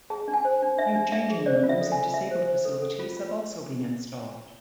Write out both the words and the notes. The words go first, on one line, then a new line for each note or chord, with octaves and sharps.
New changing rooms and disabled facilities have also been installed.
G#4 A5
D4
G#5
C5
D4
D4 E5
D4
D4 E5
G#4
C5 D5
F4
E5
A4
G#5
F4
F4 E5
C5
C5
A4
A4
F4
F4